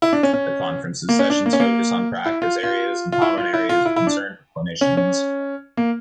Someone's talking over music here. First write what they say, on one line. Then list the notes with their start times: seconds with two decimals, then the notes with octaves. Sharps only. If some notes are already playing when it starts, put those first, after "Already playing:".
The conference's sessions focus on practice areas and common areas of concern for clinicians.
0.02 E4
0.13 D4
0.23 C#4
0.33 C#4
1.09 A#3
1.19 C#4
1.30 D4
1.46 A#3
1.53 C#4
1.60 A#3
2.25 E4
2.42 F4
2.63 F4
3.12 F4
3.22 E4
3.37 F4
3.53 E4
3.69 F4
3.85 E4
3.96 E4
4.07 D4
4.81 C#4
4.97 C#4
5.77 A#3